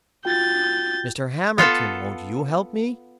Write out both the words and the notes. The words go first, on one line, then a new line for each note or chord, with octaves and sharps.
"Mr. Hamerton, won't you help me?"
F4 F#4 G5 G6 A6
B3 F4 A4 A5